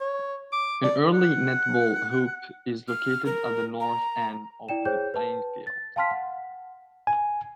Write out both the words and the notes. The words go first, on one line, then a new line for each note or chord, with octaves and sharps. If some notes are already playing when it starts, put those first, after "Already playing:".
An early netball hoop is located at the north end of the playing field.
C#5
D6
D5
F#5
F6
A#4
A#5
E4 D5 G5 E7
G#4 C5 C#5 G5 G6
B4 A5
A6
F5 G5 A5 C6 F6 B6
F#5
G#5